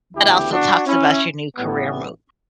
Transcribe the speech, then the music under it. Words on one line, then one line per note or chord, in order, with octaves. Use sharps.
but also talks about your new career move.
D2 C#3 E3 B3 E4 G4
D4 F#4
C#4 E4
A1 A2 E3 G3 B3